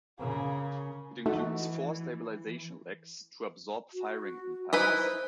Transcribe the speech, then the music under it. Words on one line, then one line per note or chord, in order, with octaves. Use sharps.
It includes four stabilization legs to absorb firing impacts.
C#3 A#3 G#4
E3 A3 D#4 F#4
F#4
D#4 E4 B4 C5